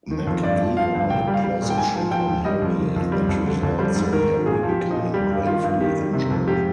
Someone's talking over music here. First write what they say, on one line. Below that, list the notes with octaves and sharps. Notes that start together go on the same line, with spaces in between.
McEvoy plays a trick on Harry that results in Harry becoming gravely injured.
D#3
F2
G2 D5
F3
F3 F5
G2
A#2 G5
G3
F5
G3
A#2
G5
G#2 G#5
F3
F3 G5
G#2
G3 D#5
F2
D#3
F2
G3
F2
D3
F2
G3 C5
G#2
D#3 A#4
G#2
A#2 G#4
F3
G4
F3
D#4
A#2
G3 G4
G2
D#3 F4
G2
D#3 G4
G3
C3
F2
G#2 G4